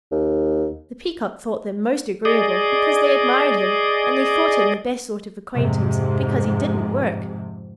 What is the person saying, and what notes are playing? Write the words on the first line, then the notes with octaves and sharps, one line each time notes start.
The Peacock thought them most agreeable, because they admired him, and they thought him the best sort of acquaintance, because he didn't work.
D#2
G#4 D5 D#5
F2 G#2 C3